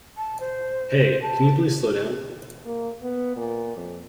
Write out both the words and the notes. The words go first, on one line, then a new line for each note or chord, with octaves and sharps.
Hey, can you please slow down?
A5
C5
C5
A5
A#3
B3
A#2
F2